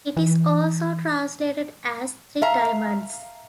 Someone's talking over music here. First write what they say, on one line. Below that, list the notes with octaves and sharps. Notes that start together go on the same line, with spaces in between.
It is also translated as "three diamonds".
E3
E5 F5 A#5